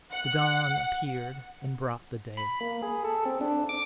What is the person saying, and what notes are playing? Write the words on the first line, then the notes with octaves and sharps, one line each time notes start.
The dawn appeared and brought the day.
F#5
B5
A#3
G#4
A4
C4
D4
D6